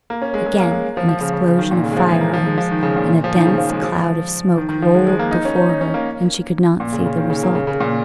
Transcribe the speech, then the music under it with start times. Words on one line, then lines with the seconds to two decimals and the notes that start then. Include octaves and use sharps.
Again an explosion of firearms and a dense cloud of smoke rolled before her and she could not see the result.
0.10 A#3
0.22 C#4
0.34 G#3
0.46 G#3
0.60 A#3
0.72 G#3
0.97 F3
1.08 F3
1.21 C#3
1.33 C#3
1.46 C#3
1.58 D#3
1.71 A#2
1.83 C#3
1.92 G#3
1.96 F3
2.09 G#3
2.21 A#3
2.33 F3
2.46 G#3
2.58 F3
2.71 D#3
2.83 C#3
2.96 A#2
3.24 F3
3.35 D#3
3.46 C#3
3.58 F3
3.70 G#3
3.82 F3
4.57 D#3
4.69 D#3
4.82 F3
4.95 G#3
5.07 G#3
5.19 A#3
5.31 D#4
5.45 C#4
5.56 D#4
5.69 D#4
5.81 C#4
5.94 A#3
6.80 A#2
6.93 C#3
7.06 C#3
7.18 D#3
7.30 C#3
7.43 A#3
7.55 C#3
7.67 C#3
7.80 A#2